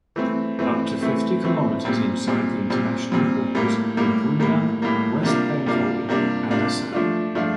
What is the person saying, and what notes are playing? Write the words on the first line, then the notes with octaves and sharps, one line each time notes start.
Up to fifty kilometres inside the international borders in Punjab, West Bengal and Assam.
E3 A3 C4
E3 A3 C4
E3 A3 C4
E3 A3 C4
A#2 G3 C4
A#2 G3 C4
A#2 G3 C4
A#2 G3 C4
A2 G3 A#3
A2 G3 A#3
A2 G3 A#3
A2 G3 A#3
C3 G3 A#3 D4 F4
C3 G3 A#3 D4 F4
C3 G3 A#3 D4 F4
C3 G3 A#3 D4 F4
F3 A3 D4 F4
F3 A3 D4 F4